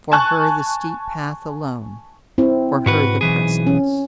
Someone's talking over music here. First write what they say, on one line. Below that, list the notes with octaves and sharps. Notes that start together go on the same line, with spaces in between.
For her the steep path, alone; for her the precipice.
G#5 A5 C#6 F#6
C4 E4
G#2 F#4 B4
B1 E3 G#4
C#4